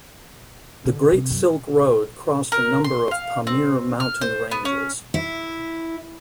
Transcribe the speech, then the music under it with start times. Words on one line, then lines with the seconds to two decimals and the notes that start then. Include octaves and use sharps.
The Great Silk Road crossed a number of Pamir Mountain ranges.
0.85 D3
1.12 C3
1.30 F#2
2.52 A#4
2.84 C6
3.11 F5
3.47 C4
4.00 F6
4.21 C5
4.51 B3
4.65 C#4
5.14 E4